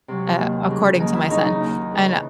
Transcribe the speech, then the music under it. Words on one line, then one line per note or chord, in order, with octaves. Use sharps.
uh- according to my son- and I
C3 F#3
D#2
C#3 F#3
D#2 D#4
E4
C#3 F#3 D#4
D#4
D#2
C#3 E3